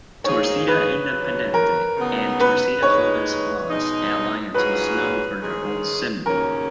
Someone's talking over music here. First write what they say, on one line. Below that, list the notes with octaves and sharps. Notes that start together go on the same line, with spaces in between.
"Torcida Independente" and "Torcida Jovem Fla"'s alliance was known for their own "symbol".
G#2 F3 A#3 D#4 G#4 C#5
B4
D#2 C#3 F#3
A#4
C#3 F#3 B3 D#4
B4
D#2 D#3 G#3 D#4 C#5
B2 G#3 D#4
G#2 F#3 C#4 F4 G#4 B4
D#3 G#3 C#4 G#4
D#2 C#3 F#3 C#4 A#4